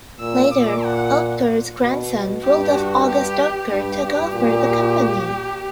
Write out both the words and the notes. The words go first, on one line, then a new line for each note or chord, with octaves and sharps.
Later, Oetker's grandson Rudolf August Oetker took over the company.
A#2 E6
A#2 D6
F#5
B2
B2
G2 G4
F#4
G4
G2 G4
G2
A#2